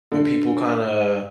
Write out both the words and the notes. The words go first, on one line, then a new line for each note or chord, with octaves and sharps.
when people kinda
D3